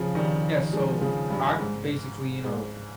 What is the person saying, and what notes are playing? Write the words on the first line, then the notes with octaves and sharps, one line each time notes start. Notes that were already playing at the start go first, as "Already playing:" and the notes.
Yeah, so I basically, you know
Already playing: C#3 F3
D#3 G3
F3 G#3
C#3 F3
G2
G#2
G#2